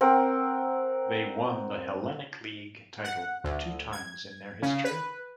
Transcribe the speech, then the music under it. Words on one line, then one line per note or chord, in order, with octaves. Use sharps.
They won the Hellenic League title two times in their history.
C4 A#4 F#5
F#5
D2
G#6
C#3
B4